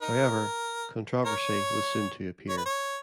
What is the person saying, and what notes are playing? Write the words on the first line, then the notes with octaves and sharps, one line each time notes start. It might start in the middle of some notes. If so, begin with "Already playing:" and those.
However, controversy was soon to appear.
D#4 A#4
A#4 C#5
C#5
B4
C#5